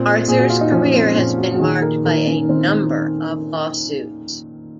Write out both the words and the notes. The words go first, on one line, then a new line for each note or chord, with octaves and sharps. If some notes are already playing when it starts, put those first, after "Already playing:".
Arthur's career has been marked by a number of lawsuits.
Already playing: A#2 C4
A#2 G#4
F#4
F4
D#4
F3 C#4
C4
A#2 C#4
F#4
F#4
D#3 G#4
A#4
D#3 A#4
C#4
D#3 C4